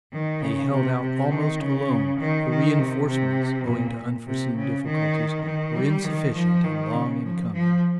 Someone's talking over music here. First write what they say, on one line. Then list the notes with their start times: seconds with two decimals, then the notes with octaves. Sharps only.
They held out almost alone, for reinforcements, owing to unforeseen difficulties, were insufficient and long in coming.
0.12 D#3
0.41 C#3
0.72 C3
1.01 C3
1.31 D#3
1.59 C#3
2.19 D#3
2.50 D#3
2.79 C3
3.08 C3
3.67 A#2
4.27 C3
4.57 C#3
4.86 D#3
5.45 D#3
5.75 G3
6.04 D#3
6.34 F3
6.64 D#3
6.93 C#3
7.23 F3
7.53 F3